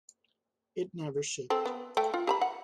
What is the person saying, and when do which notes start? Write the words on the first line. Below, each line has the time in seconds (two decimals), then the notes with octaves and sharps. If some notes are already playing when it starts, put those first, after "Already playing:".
It never shipped.
1.50 C4 A4
1.66 B3
1.97 A3 G5
2.14 F4
2.27 G4 A5 B5
2.41 F#5